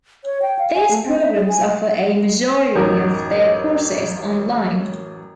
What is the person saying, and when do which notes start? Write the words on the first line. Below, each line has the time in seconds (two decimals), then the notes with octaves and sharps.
These programs offer a majority of their courses online.
0.24 C#5
0.42 G5
0.59 F5
0.74 G#5
0.91 A3
1.04 C4
1.21 E5
1.34 G#4
1.49 G#5
2.76 A1 F#2 D#4 A#4